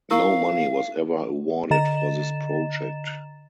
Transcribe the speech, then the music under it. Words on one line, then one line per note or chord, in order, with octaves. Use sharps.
No money was ever awarded for this project.
E4 A#4 F5 C#6
D3 D#5 A#5 A6 E7